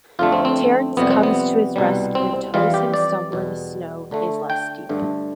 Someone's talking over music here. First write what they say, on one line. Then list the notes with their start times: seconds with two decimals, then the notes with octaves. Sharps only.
Terence comes to his rescue and tows him somewhere the snow is less deep.
0.19 F2 D3 A3 F4
0.32 C4
0.45 C4
0.97 F2 C3 G3 B3
1.10 C4
1.23 B3
1.76 C2 B2 G3
2.15 C4
2.54 F2 E3 G3 F4
2.74 G4
2.94 D5
3.32 E2 B2 G3
4.11 D2 D3 A3
4.50 G5
4.89 G2 D3 A3